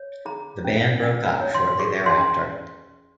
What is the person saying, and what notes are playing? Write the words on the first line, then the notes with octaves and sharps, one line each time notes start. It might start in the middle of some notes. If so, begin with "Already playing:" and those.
The band broke up shortly thereafter.
Already playing: C#5
G#4 A#5
C#4
C#4
A#5
C#5
C6
G#4 C#6
C6
C#4